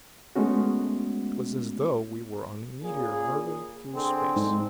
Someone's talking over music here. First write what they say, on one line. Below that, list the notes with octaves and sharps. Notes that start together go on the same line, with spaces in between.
It was as though we were on a meteor hurtling through space.
G#3 A3 B3 C#4 F#4
A#2 C#3 G#4
D3 C4 G#4
G#2